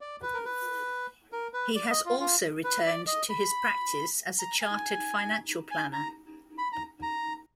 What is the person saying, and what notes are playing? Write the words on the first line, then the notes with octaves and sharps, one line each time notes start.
He has also returned to his practice as a chartered financial planner.
D5
B4
A#4
B4
A#4
B4
D5
D#5
F4
F4
B4
D5
D#5
B5
A#5
G#5
G#5
A#5
B5
A#5
A#5